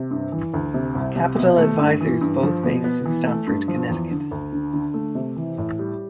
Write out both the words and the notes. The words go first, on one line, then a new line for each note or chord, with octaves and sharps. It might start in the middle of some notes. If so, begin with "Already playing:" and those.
Capital Advisors both based in Stamford, Connecticut.
Already playing: C3
G2
E3
D2
C3
C2
C3
B2
A3
G2
E3
G2
F3
B2
B3
E3
A3
G2
F3
E2
D3
D2
D3
D3
A3
C3
E3
A2
G3